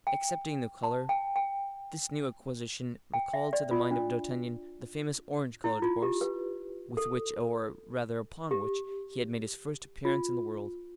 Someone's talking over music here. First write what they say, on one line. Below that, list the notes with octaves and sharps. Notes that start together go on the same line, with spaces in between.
Excepting the color, this new acquisition recalled to the mind of D'Artagnan the famous orange-colored horse, with which, or rather upon which, he had made his first appearance in the world.
G5
A5
G5
G5
G5
E5
D5
F4
D4
E4
F4
G4
B4
A4
G4
F4